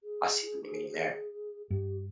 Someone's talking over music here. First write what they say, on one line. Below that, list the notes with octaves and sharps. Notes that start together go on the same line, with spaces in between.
I see what you mean there.
G#4
G2 G4